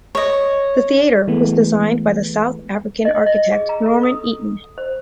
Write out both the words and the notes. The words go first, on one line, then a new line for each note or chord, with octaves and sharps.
The theatre was designed by the South African architect Norman Eaton.
C#5 D#5
E3 G#3 A3 B3
D#5
D#5
G#4
A#5
A4
D#6
C5